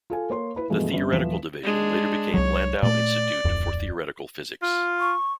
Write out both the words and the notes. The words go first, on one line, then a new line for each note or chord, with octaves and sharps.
The theoretical division later became Landau Institute for Theoretical Physics.
F4 A4 G#5
A#3 C#5 C6
E4 B4 B5
G2 B2 E3 F3 G#3 A3
G1 C#4
D#1 E3 F3 B6 E7
G#3 D4
C2 F#3 C#5
A#2 A3 D5
D1 F2
F4
C#6